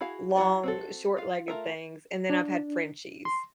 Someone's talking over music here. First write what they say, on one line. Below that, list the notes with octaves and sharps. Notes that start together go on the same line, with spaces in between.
long short-legged things, and then I've had Frenchies.
E4 F#4 G#4 F5
F#3 E4 F#4 B4 D5
C4 F#4 A4
F4 F5
A3 F4 A#4 E5
D4
C6